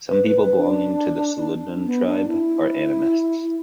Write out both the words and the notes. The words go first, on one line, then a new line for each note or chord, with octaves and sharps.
Some people belonging to the Suludnun tribe, are animists.
B4
B4
B4
D4
B3
D4
E4